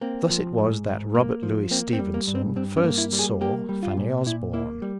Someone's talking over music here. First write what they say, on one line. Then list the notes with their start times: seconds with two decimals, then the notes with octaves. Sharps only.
Thus it was that Robert Louis Stevenson first saw Fanny Osbourne.
0.01 A#3 C4
0.30 F3
0.58 G#2
0.87 G#2
1.15 A#3
1.43 F3
1.71 A#3 C4
1.93 C4
1.99 G3
2.14 A#3
2.27 G2
2.35 C4
2.56 G2 C4
2.77 C#4
2.84 A#3
2.98 E4
3.13 G3
3.19 G#4
3.41 A#3 G4
3.69 G3
3.83 F4
3.97 A#2
4.26 A#2 E4
4.53 A#3 E4
4.82 G3